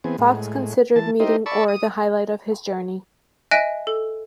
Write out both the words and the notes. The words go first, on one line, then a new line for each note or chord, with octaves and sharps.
Fox considered meeting Orr the highlight of his journey.
E3 B3 C4 G#4
A2 G#3
E3 A5
D#4 E4 G4 A#4 C5 D#5
D5 A5 B5 C#6 E6
D#6
D#5 E5 G#5 F#6 A#6 D7
A4